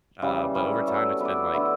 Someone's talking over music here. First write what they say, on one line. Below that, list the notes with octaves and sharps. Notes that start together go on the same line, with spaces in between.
uh, but over time, it's been like,
C#3 E3 G3
G3 C#4 E4
F#3 A3 E4 A4
B3 E4 B4 D5
D3 A3 E4